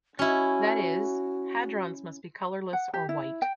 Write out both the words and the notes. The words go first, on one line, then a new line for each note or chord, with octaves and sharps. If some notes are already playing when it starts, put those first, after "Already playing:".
That is, hadrons must be "colorless" or "white".
C#4 E4 F#4
F#5
G4
E4
G5